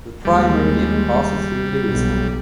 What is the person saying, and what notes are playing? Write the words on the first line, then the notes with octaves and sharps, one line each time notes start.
The Prime Meridian passes through Lewisham.
D#2 G3 G#3
B1